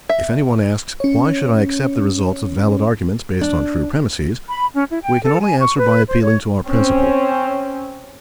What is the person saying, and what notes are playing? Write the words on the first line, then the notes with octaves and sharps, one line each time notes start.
If any one asks: 'Why should I accept the results of valid arguments based on true premisses?' we can only answer by appealing to our principle.
E5
C#4 C#5
D4
B5
C#4
E4
G5
A4
G#5
C#6
B4
C5
C#5
C4 C#4